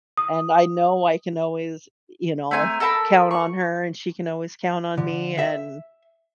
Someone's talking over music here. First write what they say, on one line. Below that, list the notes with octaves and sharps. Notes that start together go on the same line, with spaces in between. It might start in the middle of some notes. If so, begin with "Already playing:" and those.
and I know I can always, eh, you know, count on her, and she can always count on me, and
D#6
A3 C4 G#5 A#5
A4 A#4 A5 B5
C#6
D3
E5